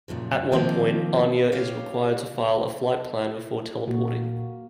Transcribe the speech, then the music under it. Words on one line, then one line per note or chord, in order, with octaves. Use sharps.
At one point, Anya is required to file a flightplan before teleporting.
F#2 A#2 C#3 F3
D#3 F3 A#3 C4
G4 C#5 F5
A#2 A#3 F#4